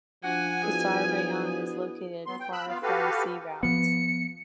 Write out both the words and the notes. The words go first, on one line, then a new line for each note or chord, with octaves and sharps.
Qusar rayon is located far from sea routes.
F3 D4 F#5 G#5
B3 D4 E4 F#4 G#4
F#3 B3 C6
G5
B5 E6 F#6
B3 F4 F5
F#4 G4 A4 B4 F5
F3 B3 C#7